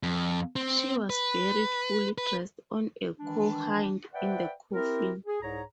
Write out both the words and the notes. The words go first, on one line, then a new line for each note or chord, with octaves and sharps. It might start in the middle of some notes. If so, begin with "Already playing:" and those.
She was buried fully dressed on a cowhide in the coffin.
F2
C4
B4
B4
D#3 E3 G#3 D4
B4 C5 D5 E5 F#5 G5
C4 E4 G4 A#4
G#4
C2 G#2 G#4 C#5 A#5